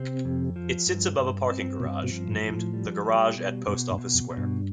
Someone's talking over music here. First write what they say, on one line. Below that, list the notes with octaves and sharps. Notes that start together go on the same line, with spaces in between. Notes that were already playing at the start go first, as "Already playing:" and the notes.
It sits above a parking garage, named The Garage at Post Office Square.
Already playing: C3 C4
F2
F3
G2
G2
C4
G2 B2
B2
F3
A2
F3
A2
G3
G3
B2
G2 B2
G2
B2
F2
B2
G2